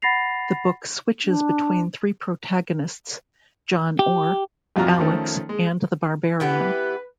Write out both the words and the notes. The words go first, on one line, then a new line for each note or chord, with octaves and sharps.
The book switches between three protagonists, John Orr, Alex, and the Barbarian.
F#5 B5 A6 A#6 C7 F7
D4
G4
G#1 F2 F4 F#4 A#5 F6
D#3 F3 A3 C#4
G#3
E3 B3 G4 B4